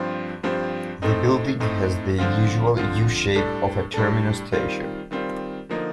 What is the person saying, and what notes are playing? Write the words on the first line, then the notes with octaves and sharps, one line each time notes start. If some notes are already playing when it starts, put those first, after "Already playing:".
The building has the usual U-shape of a terminus station.
Already playing: G2 F3 C4 G4 C5
G2 F3 C4 G4 C5
A2 A3 C4 D#4
A2 A3 C4 D#4
D3 F3 C4 F4
D3 F3 C4 F4
A2 G3 D4 A4
A2 G3 D4 A4
D#3 G3 C4 F4
D#3 G3 C4 F4
D3 F3 A#3 D#4